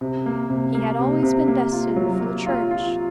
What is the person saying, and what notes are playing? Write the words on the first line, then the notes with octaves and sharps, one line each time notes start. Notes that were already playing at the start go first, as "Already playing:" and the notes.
He had always been destined for the church.
C3
A#3
C3
A#3
C3
C3
A#3
F4
F#3
A#3
F4
F4